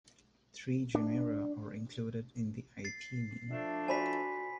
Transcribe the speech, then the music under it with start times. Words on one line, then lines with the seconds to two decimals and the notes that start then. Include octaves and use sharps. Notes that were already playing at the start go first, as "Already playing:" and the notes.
Three genera are included in the Aythyini.
0.95 D4
2.85 A6 C7
3.51 F3 A3 D4 E5
3.88 F#4 C5 D5 G#5 B5 B6